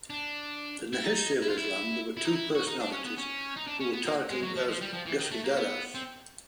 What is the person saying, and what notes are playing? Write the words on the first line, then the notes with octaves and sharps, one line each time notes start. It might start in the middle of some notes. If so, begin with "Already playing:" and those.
In the history of Islam there were two personalities who were titled as Gesudaraz.
D4
E4
D#4
E4
F4
E4
E4
D#4
E4
F#4
D#4
D4
C#4
B3
C#4
D#4
D4
C#4
B3
A#3
G#3
F#3
F3
F3
G3
F3
E3
D#3
A3
A#3
B3
C4